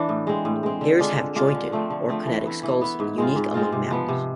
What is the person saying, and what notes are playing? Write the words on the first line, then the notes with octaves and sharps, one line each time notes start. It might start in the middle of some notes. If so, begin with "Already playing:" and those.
Hares have jointed, or kinetic, skulls, unique among mammals.
Already playing: E3 D4
A2
G#3 C4
A2
G#3 C4
D3
G#3 D4 F4
D3
G#3 D4 F4
D3
F3 A3 C4
D3
F3 A3 C4
E3
B3 E4
E3
B3 E4
G#2
G#3 C4 F4
G#2
G#3 C4 F4
C3
F3 B3
C3